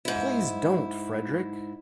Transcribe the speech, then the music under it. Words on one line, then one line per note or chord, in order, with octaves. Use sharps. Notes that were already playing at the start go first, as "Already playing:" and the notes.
Please don't, Frederick!
G#2 E4